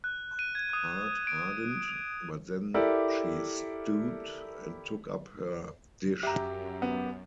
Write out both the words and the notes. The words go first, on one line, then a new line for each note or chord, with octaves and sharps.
Her heart hardened; but then she stooped and took up her dish.
F#6
D#7
G#6
D#6
D7
F7
E4 G4 A4 A#4 D5 E5
F#2 G4 E5 A#5
B3